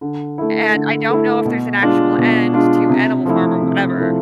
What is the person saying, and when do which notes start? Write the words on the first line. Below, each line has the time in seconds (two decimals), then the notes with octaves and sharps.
and I don't know if there's an actual end to Animal Farm or whatever
0.01 D3
0.38 A3 E4
0.74 D3
1.10 A3 E4
1.46 B2
1.82 G#3 D4 F4
2.18 B2
2.53 G#3 D4 F4
2.89 C3
3.25 F3 A3 E4
3.62 C3
3.98 F3 A3 E4